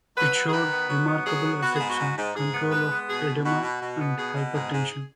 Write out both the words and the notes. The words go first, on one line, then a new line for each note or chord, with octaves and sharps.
It showed remarkable effects on control of edema and hypertension.
F#3 B4
F#3
G#4
D#3 B4
B3
F#3
B3
F#3 G#4
B3
B3 F#4
G#4
G#2
F#4
G#2
G#2
G#2 G#4
B3
G#3 B4
B3
B2 G#4
B2
B2 F#4
B2
B2
B3
B2 G#4
B2
G#2 G#4
G#2